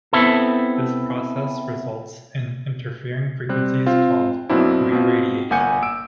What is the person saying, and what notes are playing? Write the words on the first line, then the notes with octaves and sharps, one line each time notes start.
This process results in interfering frequencies called reradiation.
B3 C4 E4 A4
G3 C4 F#6
C4 F4
F#2 B2 A#3 C4 D4 E4
B2 C4 F4
G1 A#3 F#5 G#5 G6 C#7
E6 D7